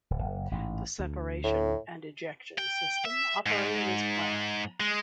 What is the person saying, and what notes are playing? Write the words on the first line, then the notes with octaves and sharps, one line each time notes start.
The separation and ejection system operated as planned.
D1
F#1
A1 G#2
D2
A2
G5
E5
G#2
G#3